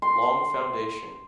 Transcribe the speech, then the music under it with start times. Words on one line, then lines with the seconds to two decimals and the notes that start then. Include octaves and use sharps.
Long Foundation.
0.02 C6